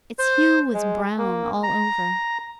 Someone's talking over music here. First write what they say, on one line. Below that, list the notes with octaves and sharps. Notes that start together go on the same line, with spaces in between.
Its hue was brown, all over.
C5
G#3
A#3
A#5